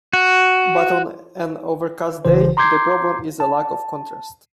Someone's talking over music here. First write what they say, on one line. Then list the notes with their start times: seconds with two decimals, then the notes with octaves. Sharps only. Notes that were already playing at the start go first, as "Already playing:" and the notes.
But on an overcast day the problem is a lack of contrast.
0.13 F#4
2.25 A1 C#3 E3 C5
2.57 A#5 C6 D6 G6 G#6 C7
3.40 A5